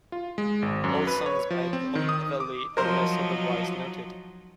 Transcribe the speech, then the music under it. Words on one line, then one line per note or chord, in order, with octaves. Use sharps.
All songs by Don Everly unless otherwise noted.
F4
G#3
G#1
F#2
B4
C#5
F3
C4
D#3
D#6
D6
F3 F#3 D#4 A#4 C5